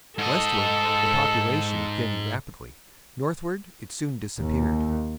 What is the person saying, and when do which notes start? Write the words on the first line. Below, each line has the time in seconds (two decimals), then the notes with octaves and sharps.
Westward, the population thinned rapidly; northward, it soon disappeared.
0.18 G#2 A4 D#5
4.38 D#2